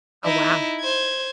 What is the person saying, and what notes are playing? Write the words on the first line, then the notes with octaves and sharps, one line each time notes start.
Oh wow.
D#4 E4
C5 G#6